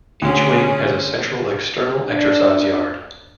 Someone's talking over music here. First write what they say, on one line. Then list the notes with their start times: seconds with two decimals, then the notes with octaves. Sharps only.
Each wing has a central external exercise yard.
0.22 D2 C#4 G#4
2.04 D4